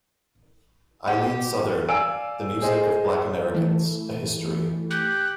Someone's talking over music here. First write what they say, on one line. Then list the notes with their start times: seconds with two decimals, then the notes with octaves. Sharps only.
Eileen Southern, "The Music of Black Americans: A History".
1.08 G4 F#5
1.88 D5 F5 G#5 E6 D7
2.61 G#4 C5 D#5
3.54 E3 A3
4.91 G4 F#6